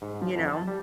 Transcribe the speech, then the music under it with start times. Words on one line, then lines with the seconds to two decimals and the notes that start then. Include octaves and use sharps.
You know?
0.02 G#2
0.22 F3
0.35 F2
0.53 A5
0.68 G3